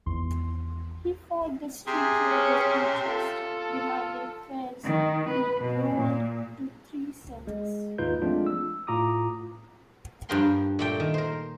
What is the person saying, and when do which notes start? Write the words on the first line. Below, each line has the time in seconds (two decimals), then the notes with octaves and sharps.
He fought the street railway interest, demanding fares be lowered to three cents.
0.06 G#1 E2 C6
1.87 C3 G#4 G#5
2.28 C#4
3.06 F4 A4
4.84 D#3
5.30 B4
5.61 B2
5.95 A#2
7.25 C#2
7.47 G#3
7.98 D#2 G#2 D#4 F4 B4 G6
8.22 F3 G#3 A3 C4 D4 F4
8.46 E6
8.87 A2 F4 A#5 D6 D#6
10.29 G2 F3 F4 A#4 G5 C6
10.79 A#2 A3 G5
11.00 D#3
11.14 A#4 C5